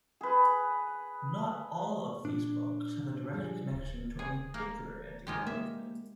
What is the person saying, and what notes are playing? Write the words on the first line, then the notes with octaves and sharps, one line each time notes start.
Not all of these books have a direct connection to any particular anti-war movement.
G#4 B4
A#2 D4
F3 G3 G#4
D1
G#4
A#3
D#3 G#3 G4
A#3 E5